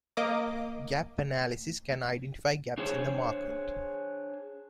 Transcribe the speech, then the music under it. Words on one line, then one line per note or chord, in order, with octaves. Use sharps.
Gap analysis can identify gaps in the market.
A#3 D#5 D6
D4 G#4 C5 C#5